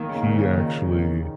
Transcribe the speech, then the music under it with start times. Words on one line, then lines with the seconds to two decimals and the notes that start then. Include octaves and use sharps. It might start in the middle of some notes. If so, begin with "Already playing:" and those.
he actually
Already playing: D#3 A#3 D#4 C#5 F5
0.09 C#3
0.24 A#2
0.39 C#3
0.54 D#3